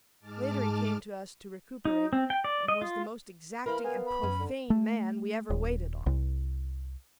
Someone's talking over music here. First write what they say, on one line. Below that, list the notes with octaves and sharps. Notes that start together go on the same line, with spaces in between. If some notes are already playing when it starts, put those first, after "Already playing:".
Later he came to us to recuperate, and was the most exacting and profane man we ever waited on.
G#2 G#3 A5 D6 F6 A6
D#4
C4
G5
D5
D#5
F4
E3 A#4 C5 F5 B5
B3 G#5
B5
F#2 C#4
D3
A3
D#1
C2